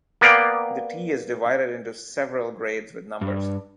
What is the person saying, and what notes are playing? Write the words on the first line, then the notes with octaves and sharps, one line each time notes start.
The tea is divided into several grades with numbers.
A#3 B3 D5 F5 G5
G2